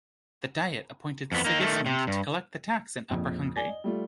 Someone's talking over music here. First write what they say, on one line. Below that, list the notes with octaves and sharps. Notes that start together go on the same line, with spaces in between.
The Diet appointed Sigismund to collect the tax in Upper Hungary.
F2 B3
A#3 D#4
D#3 A3
C3
G2
A#1 F2
D5 G#5 G7
D#5
G3 A3 F4